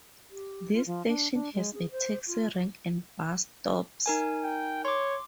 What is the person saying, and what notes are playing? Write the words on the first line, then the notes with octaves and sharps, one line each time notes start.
This station has a taxi rank and bus stops.
G4
F4
F3
D4
D4
G#3
G#4
C5
F4
D#4 A#4 G#5
G5
C#5 C6 D6